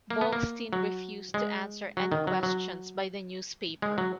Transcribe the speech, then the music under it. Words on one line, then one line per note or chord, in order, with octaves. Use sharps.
Bolkestein refused to answer any questions by the newspaper.
A#3
B3
A#3
F#3
G#3
F#3
D#3
F#3
F#3
G#3
F#3